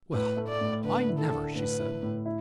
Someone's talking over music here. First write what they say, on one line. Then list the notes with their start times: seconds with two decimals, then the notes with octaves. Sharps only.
"Well, I never," she said.
0.13 A2 B4
0.37 A3
0.49 D5
0.61 A2
0.84 D3 B4
1.09 E4
1.20 A4
1.32 D3
1.55 A2 B4
1.79 E4
2.02 A2
2.26 E4